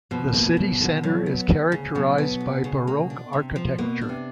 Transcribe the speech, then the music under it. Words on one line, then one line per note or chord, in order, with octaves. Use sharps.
The city centre is characterised by Baroque architecture.
B2 F3
A#3
F#2
D3
F#3
B3
D2
C#3
B2 F#3
B3
D2
C#3
A#3
D4
C3
F3
B2 A#3
D4
C3